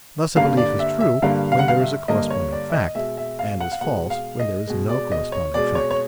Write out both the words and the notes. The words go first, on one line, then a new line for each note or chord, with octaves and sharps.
Thus a belief is true when there is a corresponding fact, and is false when there is no corresponding fact.
G2 D3 G3 A#3 F5
D5
E5
E5
G2 D3 G3 A#3 F5
F5
F#5
F5
E5
G2 D3 G3 A#3 D#5
C#5
D5
E5
D#5
B2 G#3 E5
E5
F5
F#5
F5
B2 G#3 F#5
F5
D#5
B2 G#3
D5
D#5
C#5
B2 G#3 D5
C#5
C#5